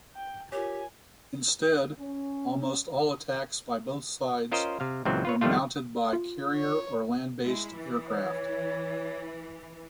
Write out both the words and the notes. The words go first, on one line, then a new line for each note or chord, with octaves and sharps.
Instead, almost all attacks by both sides were mounted by carrier or land-based aircraft.
G5
F4 G4 A#4 C#5 G#5
C#4
C#4 F4 A#4 C5 D#5
C3 F5
C#2 A#2 C#3 E3 F#3 C4
F4 B4 C#5
F2 D#3 F3 G3 A3 F4
F4
C#5
G#3 E4
E3
C#5